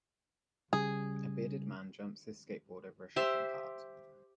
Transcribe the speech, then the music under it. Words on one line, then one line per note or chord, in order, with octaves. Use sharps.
A bearded man jumps his skateboard over a shopping cart.
C#3 G3 G#4
G4 C5 E5 C6